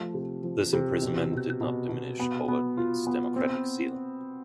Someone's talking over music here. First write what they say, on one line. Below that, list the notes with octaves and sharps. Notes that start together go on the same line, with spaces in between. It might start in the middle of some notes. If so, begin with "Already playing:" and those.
This imprisonment did not diminish Overton's democratic zeal.
Already playing: F3 A3
C3
F3
C3
B2
B2
B2
B2
B3
B3
F4
B3
C4